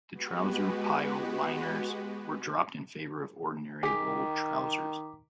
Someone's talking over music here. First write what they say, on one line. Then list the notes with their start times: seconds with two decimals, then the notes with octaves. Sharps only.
The trouser pile liners were dropped in favor of ordinary wool trousers.
0.13 G#3 B3 F#4 G4 B4
3.83 D#3 G#4 D6 B6